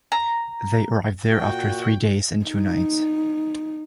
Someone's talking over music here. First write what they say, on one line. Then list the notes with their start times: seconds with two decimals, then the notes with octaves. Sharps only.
They arrived there after three days and two nights.
0.12 A#5
1.32 A#2 F#4 G5
2.46 D#4